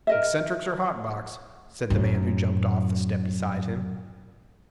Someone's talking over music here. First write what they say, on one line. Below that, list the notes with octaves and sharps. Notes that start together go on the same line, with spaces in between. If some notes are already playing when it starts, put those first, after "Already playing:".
'Eccentrics or hot-box,' said the man who jumped off the step beside him.
A#4 D#5 E5
F#2 A2